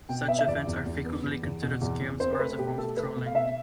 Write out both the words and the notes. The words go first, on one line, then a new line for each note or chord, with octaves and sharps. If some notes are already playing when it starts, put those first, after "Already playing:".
Such events are frequently considered scams or other forms of trolling.
B2 G5
B3 E5
E5
E2 D5
E2
E2
B3
E2
E2
B2
E2
E2
C4 C5
C5
A3 B4
B2 G4
A3 A4
A3 B4
B2
F5
B2 E5